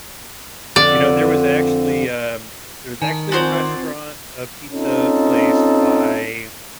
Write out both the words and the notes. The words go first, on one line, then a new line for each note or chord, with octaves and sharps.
You know, there was actually, um, there was actually a restaurant, a pizza place by,
F2 D3 D5
D#3 G#5 A5
C4 F4 F#4 C5 D5 C6 A6
C4 C#4 D#4 F4 A4